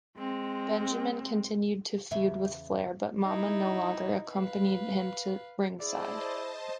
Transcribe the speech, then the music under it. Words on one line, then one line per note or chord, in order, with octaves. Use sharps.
Benjamin continued to feud with Flair, but Momma no longer accompanied him to ringside.
G#3 C4
E2 C#3 E5
D#4 E4
B4 F5
E4 G#4 C5 D5 D#5 A5